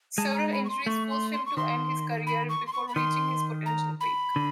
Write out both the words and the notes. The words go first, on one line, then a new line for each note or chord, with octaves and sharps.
Several injuries forced him to end his career before reaching his potential peak.
G#3 A5
A5
A#5
B5
C#6
C6
A3 C#6
C6
C6
C#6
D#3 C6
B5
C#6
C6
C#6
B5
D#3 C6
A#5
B5
D3